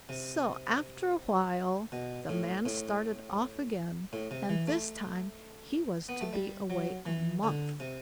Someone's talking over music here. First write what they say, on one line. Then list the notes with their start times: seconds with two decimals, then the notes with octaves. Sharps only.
So after a while the man started off again, and this time he was to be away a month.
0.09 C3
1.92 B2
2.29 A2
2.66 A2
4.13 A2
4.31 C3
4.49 E3
4.68 A3
6.09 B3
6.21 A3
6.33 G3
6.70 F#3
7.06 E3
7.43 D3
7.80 C3